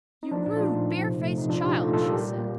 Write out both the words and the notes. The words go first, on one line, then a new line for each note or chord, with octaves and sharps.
'You rude, barefaced child!' she said.
D#4
F3 D4
A#2 D4
F4
A3 D#4
A#2
F3
C3
A3
C3 D#4
F3 D4 F4
A#2 D#4 G4
A3 F4 A4
A#2 F4 A4
G3 G4 A#4
A#2
A#3